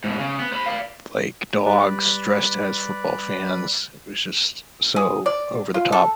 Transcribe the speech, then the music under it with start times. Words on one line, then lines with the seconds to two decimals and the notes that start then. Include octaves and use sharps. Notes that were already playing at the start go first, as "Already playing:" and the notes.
like, dogs dressed as football fans, it was just so over the top.
0.04 G#2 B2
0.18 C#3
0.39 B3
0.52 C5 B5
0.66 D5 F5
1.66 G3 B4 D5
4.96 G#4
5.26 D5
5.74 F4
5.92 A4